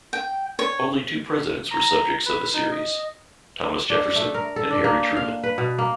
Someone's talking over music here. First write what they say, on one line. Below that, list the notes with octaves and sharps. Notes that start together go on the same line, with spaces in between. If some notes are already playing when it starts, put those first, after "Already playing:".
Only two presidents were subjects of the series: Thomas Jefferson and Harry Truman.
G5
C#5
A#5
B4
D#4
D#5
D4
A3
A#4
A4
D4
A#3
F5
B4
B2
A#3